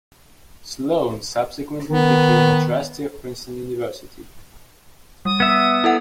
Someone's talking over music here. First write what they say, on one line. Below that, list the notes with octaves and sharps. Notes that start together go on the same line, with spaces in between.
Sloan subsequently became a trustee of Princeton University.
D#3 B3
G3 D#6
B3 E5
E4 A4 F#5